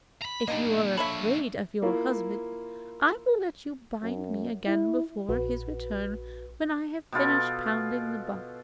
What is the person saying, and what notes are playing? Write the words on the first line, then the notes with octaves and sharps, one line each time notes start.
If you are afraid of your husband, I will let you bind me again before his return when I have finished pounding the barley.
A#5 B5
G3 A#3 D4 D#4 D#5
A4 C#5 E5 B5
A#3 E4 F4
F#2
E4
A#1 F#4 B4
B2 B3 F4 A4